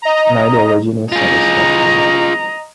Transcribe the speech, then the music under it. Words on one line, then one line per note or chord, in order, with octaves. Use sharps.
Neither origin is satisfactory.
D#5 A#5
F4 G#4 D#5 A#5